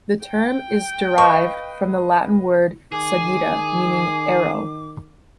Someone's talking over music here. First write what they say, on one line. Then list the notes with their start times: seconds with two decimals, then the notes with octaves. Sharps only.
The term is derived from the Latin word "sagitta", meaning "arrow".
0.25 G5
1.18 B4 D#5 F5 C#6
2.92 D#3 G#4 G#5 D6